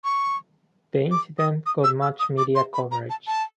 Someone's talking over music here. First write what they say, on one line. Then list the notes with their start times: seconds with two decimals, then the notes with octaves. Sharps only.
The incident got much media coverage.
0.04 C#6
1.11 D6
1.39 D#6
1.66 D#6
1.84 E6
2.02 E6
2.20 D#6
2.38 D6
2.55 C6
2.74 B5
2.91 A#5
3.10 A5
3.27 A5